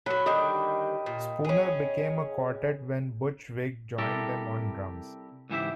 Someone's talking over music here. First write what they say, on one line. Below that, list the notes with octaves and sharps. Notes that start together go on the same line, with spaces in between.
Spooner became a quartet when Butch Vig joined them on drums.
F#3 F#4 B5
D3 D#3 G3 D#5 G5
A#2
C#4 G#4
C3 G3 E4 G4 A4 A#4
C#2 G#2 E3 E4 G4 E5